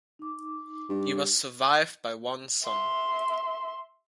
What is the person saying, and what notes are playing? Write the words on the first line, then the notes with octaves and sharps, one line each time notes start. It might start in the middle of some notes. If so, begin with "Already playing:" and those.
He was survived by one son.
D#4 D6
G2
E5 C6